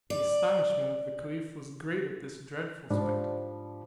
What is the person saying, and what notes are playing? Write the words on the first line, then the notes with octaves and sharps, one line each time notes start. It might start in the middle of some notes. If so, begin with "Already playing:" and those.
The astonishment of the caliph was great at this dreadful spectacle.
D5
G#2 F3 G3 D4